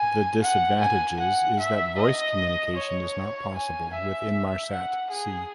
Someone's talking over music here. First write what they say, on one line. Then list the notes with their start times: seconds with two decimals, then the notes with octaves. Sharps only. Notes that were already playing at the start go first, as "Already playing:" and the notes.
The disavantages is that voice communication is not possible with Inmarsat-C.
Already playing: G#5
0.42 F#5
0.81 G#5
1.20 F#5
1.60 E5
1.98 D#5
2.76 C#5
3.54 G#5
3.94 E5
4.72 F#5
5.11 G#4